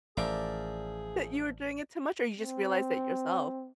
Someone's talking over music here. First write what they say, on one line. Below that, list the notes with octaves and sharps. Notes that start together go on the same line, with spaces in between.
that you were doing it too much, or you just realized it yourself?
A1 F3 G#4 A#4 D5 E5 D6
C4